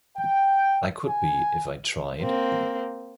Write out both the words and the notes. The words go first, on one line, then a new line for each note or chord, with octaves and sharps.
I could be, if I tried.
G5
G#5
A#3 C4